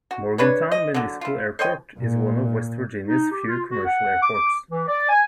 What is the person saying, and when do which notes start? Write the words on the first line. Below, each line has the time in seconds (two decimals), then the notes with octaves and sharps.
Morgantown Municipal Airport is one of West Virginia's few commercial airports.
0.11 F#4
0.38 D4 B4 C#5
0.72 D#5
0.94 D3 F#3
1.21 E4 F4
1.59 C5 C#5 D#5 G5
1.98 A#2
3.08 D#4
3.31 G4
3.47 F4
3.69 F#4
3.85 F#5
4.21 D6
4.71 E3
4.87 D5
5.08 G#5